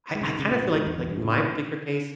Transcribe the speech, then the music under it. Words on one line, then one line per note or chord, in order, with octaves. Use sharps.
I I kind of feel like like, in my particular case,
G#3
C#3
D#3
C#3
A#2
G#2
G#2
E2
E2
G2
C#3
B2